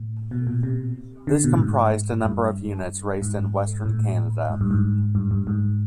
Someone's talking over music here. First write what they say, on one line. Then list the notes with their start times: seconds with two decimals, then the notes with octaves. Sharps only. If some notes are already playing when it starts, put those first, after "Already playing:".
This comprised a number of units raised in western Canada.
Already playing: A2
0.31 B2
0.47 A#2
0.63 C3
1.27 D3
1.44 B2
1.52 A2
1.60 G#2
2.25 G2
3.22 G#2
3.86 A2
4.50 G#2
4.61 G2
4.71 G#2
5.15 G2
5.31 G2
5.47 G#2